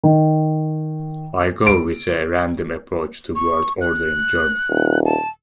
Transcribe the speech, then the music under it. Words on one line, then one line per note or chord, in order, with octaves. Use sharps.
I go with a random approach to word order in German.
D#3
D7
C#6
F#6
D#1
A5